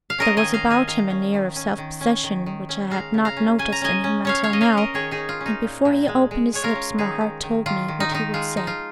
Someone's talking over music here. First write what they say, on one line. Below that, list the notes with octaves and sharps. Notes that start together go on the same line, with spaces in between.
There was about him an air of self-possession which I had not noticed in him until now, and before he opened his lips my heart told me what he would say.
F5
C#4 A#4 D#5
D#5 G#5
D#3
F5 A#5
D#3
D#5 G#5
D#3 F5 A#5
C#4
D#3
C#4
D#3
C#4
D#3
D#3
C#4
G#3 F5 A#5
C#3
F5 A#5
C#4
C#4 G#5
A#5
C#4 D#5 G#5
C#4
C#4 C#5 F5
C#5 F5
C#4 D#5
C#5 F5
C#4
A#4 D#5
D#3 G#4 C#5
D#4 G#4
C#4
F4
C#4
D#4
A#2
A#2
G#3
G#3
G#3 C#5
F4 A#4
C#4
D#3 D#4 G#4
D#3
D#3
D#3 F4
D#3
D#4
D#3 D#4
G#3 F4
F3 D#4
F4